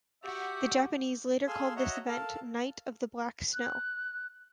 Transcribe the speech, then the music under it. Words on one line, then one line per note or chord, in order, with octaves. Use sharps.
The Japanese later called this event Night of the Black Snow.
F#4 G4 E5 F#5
G#4 A4 F5 G#5 C6 E6
F#4 C#5 D#5 E5 F#5 A#5
A4 A#4 F5 A5
F#6